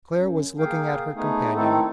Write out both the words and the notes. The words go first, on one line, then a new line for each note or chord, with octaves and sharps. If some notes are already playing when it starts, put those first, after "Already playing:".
Claire was looking at her companion.
F#2
A#3 G#4 F5 G5
A3 B3 D#4 G#4
D#3 A3 C4 D#4 E4 A4